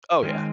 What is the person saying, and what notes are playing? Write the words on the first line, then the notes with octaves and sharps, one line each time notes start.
Oh, yeah.
D#3 G#3 C4 C#4